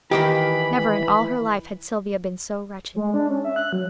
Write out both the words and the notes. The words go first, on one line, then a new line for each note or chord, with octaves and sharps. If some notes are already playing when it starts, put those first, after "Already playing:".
Never in all her life had Sylvia been so wretched.
D#3 E3 A#3 G4 G5 B5
G#3
D4
C#4
E5
F#6
F#3